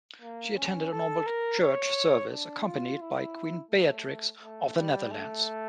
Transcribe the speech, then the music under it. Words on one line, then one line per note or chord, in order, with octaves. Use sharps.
She attended a normal church service, accompanied by Queen Beatrix of the Netherlands.
A#3
C#4
A4
A#4
C#5
D4
F4
E4
A3
A3
G3
A3